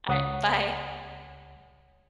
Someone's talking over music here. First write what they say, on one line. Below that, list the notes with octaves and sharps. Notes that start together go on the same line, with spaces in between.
Alright, bye.
C#2 C#5 F#5 D#6